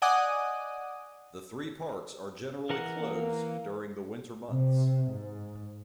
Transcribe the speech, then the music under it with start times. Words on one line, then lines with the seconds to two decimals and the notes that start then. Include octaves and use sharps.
The three parks are generally closed during the winter months.
0.02 D5 D#5 F#5 G#5 D6 D#6
2.70 E3 A#4 F#5
3.00 A#3
4.51 C3
5.13 G#2